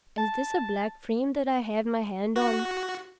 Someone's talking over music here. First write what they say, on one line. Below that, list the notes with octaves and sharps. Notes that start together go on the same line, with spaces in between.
Is this a black frame that I have my hand on?
A5
F#4